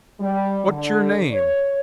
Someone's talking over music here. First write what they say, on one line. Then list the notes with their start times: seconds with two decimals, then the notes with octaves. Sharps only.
"What's your name?"
0.20 G3
0.67 D3
1.31 C#5